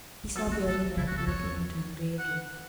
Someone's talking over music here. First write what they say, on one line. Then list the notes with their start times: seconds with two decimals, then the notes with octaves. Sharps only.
He saw Beardy Ned looking at him gravely.
0.24 E3
0.35 F#3 A4
0.47 B3
0.51 A3 F#4
0.66 A3 A4
0.82 E3
0.96 C#3 E4
1.07 F#4
1.12 F#2
1.17 A4
1.27 E2 C#5
2.18 F#5